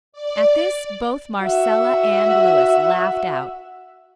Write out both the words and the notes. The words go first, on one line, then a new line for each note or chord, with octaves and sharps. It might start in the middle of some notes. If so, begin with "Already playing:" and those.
At this both Marcella and Louis laughed out.
D5
F#4 E5